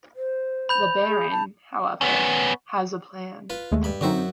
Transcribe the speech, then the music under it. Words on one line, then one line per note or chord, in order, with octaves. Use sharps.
The Baron, however, has a plan.
C5
B5 G6 F7
G#4
A5
B3 C#4
F4 B4
D#2 G#3 A3
G2 B5
F#2 D3 C4 D#4 F#4 E5